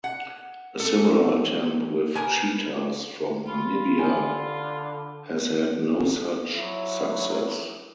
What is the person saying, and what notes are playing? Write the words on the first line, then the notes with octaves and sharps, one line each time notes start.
A similar attempt with cheetahs from Namibia has had no such success.
F#5
A4
A#4 B4 G#5
F4 B5
D3 G4 A#4 G#5
F#3 E4